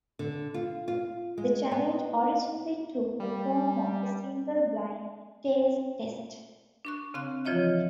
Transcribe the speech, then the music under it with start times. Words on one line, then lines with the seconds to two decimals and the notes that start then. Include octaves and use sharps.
The challenge originally took the form of a single blind taste test.
0.19 D3
0.54 F4
0.88 F4
1.38 G#3
1.71 B3
3.20 G3
6.85 D4 C#6 F#6
7.14 C#3 C4 F5 F#6
7.45 E3 F3 F4 C#5 D#5 E5